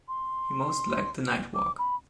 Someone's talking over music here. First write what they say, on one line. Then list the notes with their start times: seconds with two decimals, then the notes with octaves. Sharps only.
He most liked the night walk.
0.08 C6
1.55 D6
1.79 B5